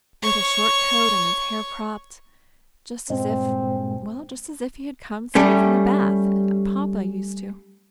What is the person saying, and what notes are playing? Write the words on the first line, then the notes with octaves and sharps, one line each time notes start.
"With a short coat and his hair cropped; just as if, well, just as if he had come straight from the bath... Papa used to..."
C#5 C#6
G2 A#2 G#3 C4
G3 A3 C#4